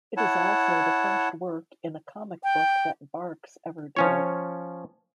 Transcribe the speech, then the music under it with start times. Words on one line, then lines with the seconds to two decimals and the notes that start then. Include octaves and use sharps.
It is also the first work in a comic book that Barks ever did.
0.17 E4 C#5 F#5 A5
2.44 G5
3.97 F3 C#4 C#5